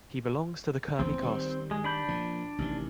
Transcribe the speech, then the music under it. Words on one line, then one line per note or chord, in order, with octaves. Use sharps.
He belongs to the Kurmi caste.
A1 E2 G#2 C4
D#3 G3
G#3
D4 B5 G6
A#2 F3
A1 C3 D#3